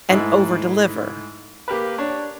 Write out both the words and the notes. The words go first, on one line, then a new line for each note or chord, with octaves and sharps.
and overdeliver.
G#2 A3 D#4 E4
A#3 G4 A#4 B4
D4 C#5